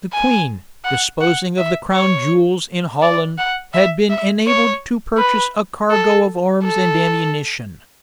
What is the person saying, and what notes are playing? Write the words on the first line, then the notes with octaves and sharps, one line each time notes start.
The queen, disposing of the crown jewels in Holland, had been enabled to purchase a cargo of arms and ammunition.
G#5
F#5
F#5
E5
C#5
D5
F#5
E5
E5
C#5
B4
A4
A4